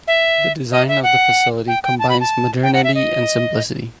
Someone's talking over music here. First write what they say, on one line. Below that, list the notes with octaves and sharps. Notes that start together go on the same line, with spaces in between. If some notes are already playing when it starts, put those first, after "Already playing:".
The design of the facility combines modernity and simplicity.
E5
D#5
E5
F#5
G5
G5
A5
B5
A5
G5
F#5
E5
D#5